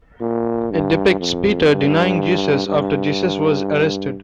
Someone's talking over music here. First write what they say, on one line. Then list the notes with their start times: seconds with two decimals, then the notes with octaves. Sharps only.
It depicts Peter denying Jesus after Jesus was arrested.
0.21 A#2
0.71 G2
1.20 F2
1.69 G2
2.67 G2